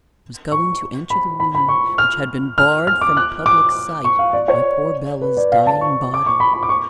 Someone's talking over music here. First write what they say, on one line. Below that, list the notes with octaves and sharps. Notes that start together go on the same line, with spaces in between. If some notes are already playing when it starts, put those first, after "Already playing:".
She was going to enter the room which had been barred from public sight by poor Bela's dying body.
C#6
B5
B5
B5
C#6
F6
F6
F6
D6
F#6
D6
C#6
F5
D5
C#5
B4
D5
F5
A5
C#6
D6
C#6
B5
B5
D6
C#6